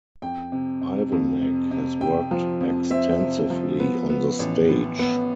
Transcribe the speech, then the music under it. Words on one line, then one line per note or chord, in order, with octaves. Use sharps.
Ivanek has worked extensively on the stage.
F2 G5
C3
C3
F2
C3
C3
C3 G5
F3
F2
C4 E5
C3
F3
B3
B3
A1
B3
B3